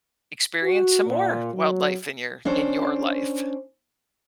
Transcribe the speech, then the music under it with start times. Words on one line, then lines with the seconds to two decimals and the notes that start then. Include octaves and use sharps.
experience some more wildlife in your in your life.
0.62 F#4
1.06 A#2
1.52 F#3
2.45 C#4 D4 C5